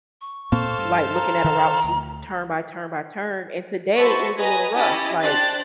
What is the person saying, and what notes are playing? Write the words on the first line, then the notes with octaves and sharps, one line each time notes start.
like, looking at a route sheet turn by turn by turn. And today it was a little rough, like,
C#6
A#2 A#3 C4 A4 C5 F5
G2
A#5
D#3
D2
F#4 B4 C5 E5 A5 C#6
B4 D#5 G#5 A#5
C#4 E4 G4 D#5 A5
D4 G4 C5 A5 F#6 A6